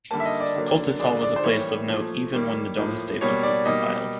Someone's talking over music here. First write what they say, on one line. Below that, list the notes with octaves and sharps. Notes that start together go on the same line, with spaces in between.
Coltishall was a place of note even when the Domesday Book was compiled.
D3 G3 A#3 A5
E5
D#5
D5
D3 F#3 A#3
D3 F3 G#3 D5
D5
C5
A2 E3 G3 A#3 C#5
A#2 F3 A3
D#3 G3 A#3
A2 F3 A#3
B2 G3 A#3 C#5
D5
B2 G3 A#3 D#5